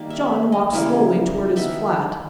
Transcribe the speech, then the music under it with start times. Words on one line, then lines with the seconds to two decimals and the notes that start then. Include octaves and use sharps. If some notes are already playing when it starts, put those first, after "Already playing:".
John walked slowly toward his flat.
Already playing: D#3 G3 A#3
0.10 E5
0.52 D#5
0.72 C#3 E3 G3 A#3
1.56 D#3 G#3 B3 E5